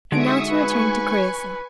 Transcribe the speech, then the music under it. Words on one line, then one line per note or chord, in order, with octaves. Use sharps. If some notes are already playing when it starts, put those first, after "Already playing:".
And now to return to Creusa.
D3 G#3 D#4 F#4 E5 C#6 D#6 D7
B4 G#5 C#6